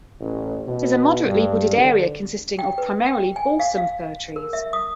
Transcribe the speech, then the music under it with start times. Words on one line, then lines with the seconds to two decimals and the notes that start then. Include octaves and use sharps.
It is a moderately wooded area consisting of primarily balsam fir trees.
0.21 A1
0.67 B2
1.25 G2
1.78 D3
2.59 G5
2.78 B4
3.06 G5
3.36 G#5
3.60 F5
3.78 F5
4.36 A#4
4.53 E5
4.73 D#6